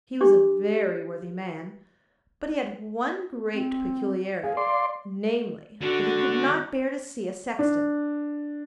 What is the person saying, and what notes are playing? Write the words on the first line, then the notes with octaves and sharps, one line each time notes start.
He was a very worthy man; but he had one great peculiarity--namely, that he could not bear to see a sexton.
D4 G4 D6
C4
G#4 F5
D5 C6
D3 F#4
D4